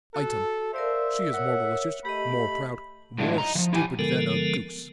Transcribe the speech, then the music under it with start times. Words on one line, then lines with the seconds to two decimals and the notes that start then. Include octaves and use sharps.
Item--she is more malicious, more proud, more stupid than a goose.
0.14 F#4 A4
0.74 A#4 C5 D5 E5 F5
1.34 A#4 C#5 F#5
2.05 A3 G4 D#5 B5
3.18 A2 F#3 G#3 D4 E4
3.38 D#5 A#5
3.55 E3 F3
3.73 E4 G4 G5 G#5
3.99 D3 F3 G#3 B3 A4 A#4